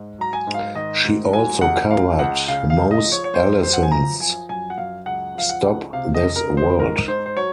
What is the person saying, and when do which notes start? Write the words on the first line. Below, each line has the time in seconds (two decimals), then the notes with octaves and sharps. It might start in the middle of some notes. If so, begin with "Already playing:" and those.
She also covered Mose Allison's "Stop This World".
Already playing: G#2
0.18 F#3 A#5
0.33 G#5
0.47 G#2
0.54 F5
0.75 D#3 D#5
1.05 G#2
1.33 F#3 G#5
1.61 C#2 F#5
1.91 F3 F5
2.19 C#2 F#5
2.48 C#3 F5
2.70 F5
2.77 C#2
2.91 D#5
3.05 F3
3.12 C#5
3.24 C#5
3.34 F#2 C5
3.63 F#2 C5
3.73 F#5
3.83 G#5
3.91 F3 A#5
4.20 F3 G#5
4.49 F#2 G#5
4.70 F#5
4.78 F#2 F5
5.06 C#2 F#5
5.35 F3 F5
5.49 F#5
5.64 C#2
5.93 C3 F5
6.14 D#5
6.21 C#2
6.36 A#4
6.50 F3
6.57 C5
6.79 G#2 A#4
7.08 G#2 C5
7.26 C5
7.36 F#3 C#5